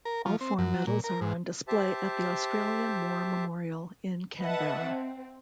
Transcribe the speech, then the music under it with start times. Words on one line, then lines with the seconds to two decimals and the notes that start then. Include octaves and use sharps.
All four medals are on display at the Australian War Memorial in Canberra.
0.05 A#4
0.26 F3
0.41 C4
0.59 F#2
0.74 F#3
0.87 A#2
1.04 A#4
1.21 G#2
1.68 G4 C5 E5 A5
4.40 B4 D#5 E5 F#5 A5
4.84 C4